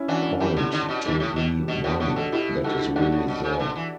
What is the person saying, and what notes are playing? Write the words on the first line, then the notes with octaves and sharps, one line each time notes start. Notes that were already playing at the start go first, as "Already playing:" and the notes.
Point to the one that is really there.
Already playing: C#4 E4
E3 D4 F#4
E3 E4 G4
D3
D3
B2
G2
A2
B2
G4
B2 D4 F#4
A2 D4 F#4
A2 D4 F#4
B2 F#4 A4
B2 E4 G4
G2 F#4 A4
G2 D4 F#4
A2
B2
C#3
D3
E3